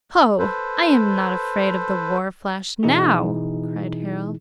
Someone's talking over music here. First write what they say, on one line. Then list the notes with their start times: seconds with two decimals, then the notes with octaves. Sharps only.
"Ho, I am not afraid of the war flash now," cried Harald.
0.39 A4 B4 C5
2.83 B2 E3 D#4 E4 G#4